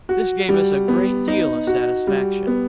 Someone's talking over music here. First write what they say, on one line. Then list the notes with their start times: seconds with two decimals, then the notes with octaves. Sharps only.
This gave us a great deal of satisfaction.
0.09 F#4
0.49 G3
0.88 B3
1.28 D#4
1.67 F#4
2.07 G3
2.47 B3